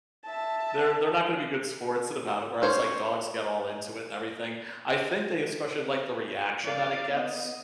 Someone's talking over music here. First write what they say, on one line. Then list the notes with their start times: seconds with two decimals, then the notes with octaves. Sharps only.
they're they're not gonna be good sports about it, whereas, like, dogs get all into it and everything, I think they especially like the reaction that it gets,
0.24 E5 A5
2.62 C#4 C5 C#5
6.64 D5 F5
7.11 B3 D#5